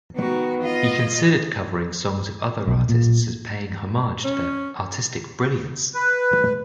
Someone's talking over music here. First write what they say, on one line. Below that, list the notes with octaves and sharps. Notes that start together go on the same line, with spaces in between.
He considered covering songs of other artists as paying homage to their artistic brilliance.
D#3 B3 F#4
F4 D#5
B1
A#2
C#4
B4